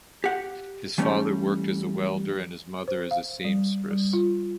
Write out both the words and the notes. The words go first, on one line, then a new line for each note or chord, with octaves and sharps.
His father worked as a welder and his mother as seamstress.
G4 F#5
E3 G3 A3 C#4
C5
F5
G3
G3
F4